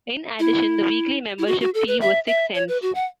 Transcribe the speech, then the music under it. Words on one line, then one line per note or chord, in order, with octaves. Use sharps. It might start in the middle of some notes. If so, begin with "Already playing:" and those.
In addition, the weekly membership fee was six cents.
E4
E4
F#4
F#4
A4
B4
E5
E5
C#5
B4
F#4
F#5